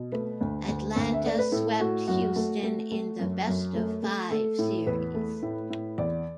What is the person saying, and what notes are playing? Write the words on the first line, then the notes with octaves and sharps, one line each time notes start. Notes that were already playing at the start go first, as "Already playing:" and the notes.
Atlanta swept Houston in the best-of-five series.
Already playing: B2
A3 B4
D2
D2
D2
E5
A3 D5
B4
A2 A4
A3 F#4
F#2 F#4
A3
A3
A3
F#2
F#2
A3
A3
A3 A4
A2
E2 B4
A3
A2
A2
E2 D5